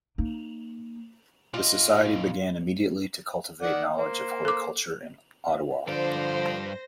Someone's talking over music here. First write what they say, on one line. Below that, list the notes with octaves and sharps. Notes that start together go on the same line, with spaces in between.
The Society began immediately to cultivate knowledge of horticulture in Ottawa.
A#3 D#4
A#2 F4 D#5
D#3 D5 F#5
A#3 C5
A4 D6
G2 D3 F3 C5 D5 A#6